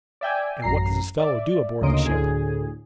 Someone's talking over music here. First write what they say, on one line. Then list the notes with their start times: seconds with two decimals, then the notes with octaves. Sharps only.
"And what does this fellow do aboard the ship?"
0.21 D5 E5 G5 G#5
0.62 A1 F#2 A#5 C7
1.19 D5 E5
1.81 D2 C#3 A#3 D#5 C6 D7
2.06 D2 A2 G#4